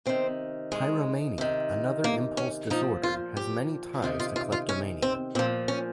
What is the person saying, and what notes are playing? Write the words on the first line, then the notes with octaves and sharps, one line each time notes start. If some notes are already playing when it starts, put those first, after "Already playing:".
Pyromania, another impulse disorder, has many ties to kleptomania.
C3 D#3 C4
G#3
C3 D#3
A#3
C#4
A#2 F3 D#4
F4
G4
C3 D#3 F4
F4
F4
F4
C#4
C4
A#2 F3 C4
C#4